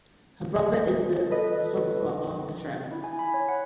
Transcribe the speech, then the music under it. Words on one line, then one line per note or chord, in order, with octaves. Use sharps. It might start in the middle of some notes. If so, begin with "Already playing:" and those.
Her brother is the photographer Arthur Tress.
A4 B4 D#5
E4
G#5
B5
C#5
F#5